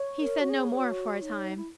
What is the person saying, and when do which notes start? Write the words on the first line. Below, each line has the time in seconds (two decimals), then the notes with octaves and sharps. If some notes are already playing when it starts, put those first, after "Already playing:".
He said no more for a time.
Already playing: C#5
0.20 A#4
0.41 F#4
0.49 G#4
0.72 G#4
0.78 F#4
1.22 D#4
1.57 E4